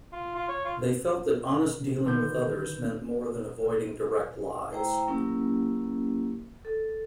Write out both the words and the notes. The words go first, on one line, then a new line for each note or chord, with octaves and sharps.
They felt that honest dealing with others meant more than avoiding direct lies.
F4
F4
C#5
F4
D3 D#3 B4 G6
A3 E4 C5 G5 A#5
F#3 A#3 C#4 E4 G4 A#4
A4